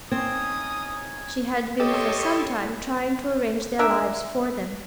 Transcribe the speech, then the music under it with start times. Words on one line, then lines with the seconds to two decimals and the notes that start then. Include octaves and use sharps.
She had been for some time trying to arrange their lives for them.
0.12 C4 C#4 D#4 D#6 G#6
1.80 G4 A4 C#5 D#5 C6 C#6
3.79 D4 A#4 E5